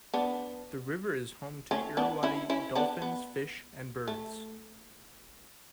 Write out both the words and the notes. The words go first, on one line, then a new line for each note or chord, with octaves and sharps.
The river is home to Irrawaddy dolphins, fish, and birds.
B3 D4
A3 C#4
B3 D4
C#4 E4
C#4 E4
B3 D4
B3
A3